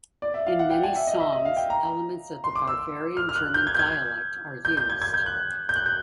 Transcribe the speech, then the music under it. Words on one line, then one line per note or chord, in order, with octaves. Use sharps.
In many songs elements of the Bavarian German Dialect are used.
D5
E5
F5
F#5
G5
G#5
E5
D#5
E5
D#5
F5
G5
A#5
C6
D6
E6
F6
F6
F#6
G6
G#6
G6
G#6
G6
G6
G#6
G#6
G6
F#6
G6
F#6
G6